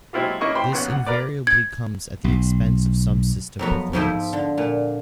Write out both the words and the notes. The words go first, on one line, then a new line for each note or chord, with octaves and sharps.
This invariably comes at the expense of some system performance.
F#3 G#3 C4 E4 F4 G4
A#3 C#4 E4 D#5 C#6
C5 G5 B5 C6
A#1 B3 C#4 F#5
F#5
A#4 B4 D5
G#6
B1
F2 F#3 B3
F2 G#2 F3 E4 C5 B5
D3
A#2